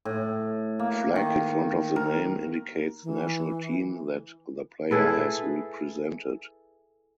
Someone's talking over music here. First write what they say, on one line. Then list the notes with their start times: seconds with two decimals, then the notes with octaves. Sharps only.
Flag in front of the name indicates national team that the player has represented.
0.05 A2
0.79 A#3
1.16 D#3
1.96 A#4
3.04 E3
4.91 E4 G#4 A4 B4